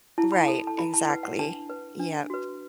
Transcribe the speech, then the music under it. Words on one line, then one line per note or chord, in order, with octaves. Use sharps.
Right, exactly, yep,
E4 A5
B5
A4 A5
A5
E4 B5
A5
B4 F#5
F#5
D4 A5
B4
D4
F#4 B4